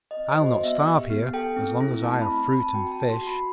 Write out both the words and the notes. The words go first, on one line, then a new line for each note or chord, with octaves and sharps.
"I'll not starve here as long as I have fruit and fish."
D#5
C4
C5
F#4
D#5
B3 E5
G4
B3
A4 G5
C4
E4
A3 A5
B5
C4
C4 B5
A5
F#4 G5
A5
B3
C6
F#4
B5